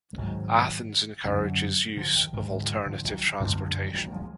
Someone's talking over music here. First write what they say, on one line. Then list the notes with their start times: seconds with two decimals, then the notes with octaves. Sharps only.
Athens encourages use of alternative transportation.
0.13 G#3
0.18 G#2 D#3 F#3
1.25 F#2 D3
1.97 D3 F3
2.14 D#3
2.33 G#2 D#3
2.56 D#3
2.60 D3 F3
2.79 D#3
2.86 D3 F3
3.05 D#3 F#3
3.40 F#2 D3 G#3 B3
3.59 F3 G#3
3.76 D#3 F#3
3.94 D#3 F#3
4.06 A#3
4.12 F3 G#3